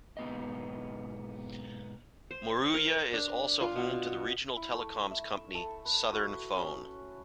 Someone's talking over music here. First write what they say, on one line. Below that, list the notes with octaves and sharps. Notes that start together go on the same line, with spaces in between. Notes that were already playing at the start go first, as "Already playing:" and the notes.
Moruya is also home to the regional telecoms company Southern Phone.
G#2 B2 A#3 B3 D#4 D#5
C5
A#4
D4
F4
B2
E4
A3
E5
A4
B4
F#4
C#4